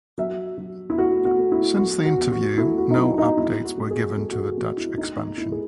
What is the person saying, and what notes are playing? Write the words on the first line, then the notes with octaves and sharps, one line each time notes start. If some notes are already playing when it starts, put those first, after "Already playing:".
Since the interview no updates were given to the Dutch expansion.
F#3 E5
F#3
E4
A3 F#4
F#4
A3
E4
F#3 F#4
F#4
E2
F#4
A3 E4
F#4
D#4
F#3 E4
D#4
G#3 E4
F#4
G#3
G#4
G#3 A4
F#4
G#4
G#3 F#4
E4
A3 D#4
D#4
A3 E4
G#4